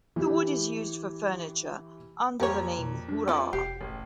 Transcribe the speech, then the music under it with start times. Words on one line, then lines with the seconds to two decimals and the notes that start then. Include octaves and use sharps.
The wood is used for furniture under the name "hura".
0.16 E3 G4
2.40 F2 G3 A#3 C#5 A#5
2.79 B2
3.09 D4
3.28 F3 C4 D#5
3.53 F1 G4 C7
3.81 A1